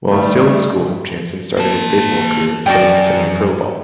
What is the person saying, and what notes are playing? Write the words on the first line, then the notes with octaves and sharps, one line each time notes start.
While still in school Jansen started his baseball career playing semi-pro ball.
D#3 G3 A3
A#3 A5
F#2 F#4 D5 G5